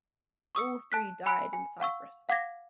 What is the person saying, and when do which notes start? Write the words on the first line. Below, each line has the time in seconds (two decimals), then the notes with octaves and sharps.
All three died in Cyprus.
0.55 C#6 D#6 E6 C#7
0.92 A5 F#6 B6
1.26 G#5 B5 E6 F#6 B6 D7
1.53 G#5
1.80 F5 F#5 C#6 E6
2.29 F5 F#5 D6 G#6 A#6